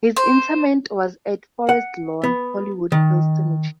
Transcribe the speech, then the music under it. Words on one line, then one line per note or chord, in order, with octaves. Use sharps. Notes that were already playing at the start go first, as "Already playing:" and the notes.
His interment was at Forest Lawn - Hollywood Hills Cemetery.
C5
F#5
B3
D#3